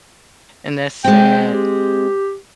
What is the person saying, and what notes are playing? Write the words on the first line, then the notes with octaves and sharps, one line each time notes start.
and that's sad.
G#3 C4 G5
G4